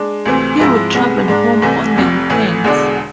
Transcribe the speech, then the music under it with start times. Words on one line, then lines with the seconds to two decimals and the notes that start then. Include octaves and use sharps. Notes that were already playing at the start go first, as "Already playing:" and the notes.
He would travel home on the weekends.
Already playing: G#3 D4
0.25 D2 C3 E3 A3 C4
0.60 G#2 F3 G#3 C4 E4
0.94 C2 C3 G#3 B3
1.28 G#2 G#3 D4
1.62 C2 C3 E3 A3
1.96 F1 F2 C3
2.30 A1 A2 E3 A3
2.64 E1 E2 D3 G#3 D4